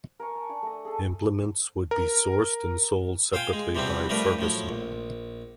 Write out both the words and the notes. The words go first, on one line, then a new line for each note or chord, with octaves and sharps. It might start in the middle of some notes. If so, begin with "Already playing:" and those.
Implements would be sourced and sold separately by Ferguson.
A#4 G#5 C#6
A5
D4 D5 G#5 C#6
A3 D#5
G#4 A4
A#4
F4 C5 F5 G5 G#5
G#3
C3 E3 F3 G3 B3 C4
F3 G3 A3 D4 A#4 B4
A2 F3 F#3
A#1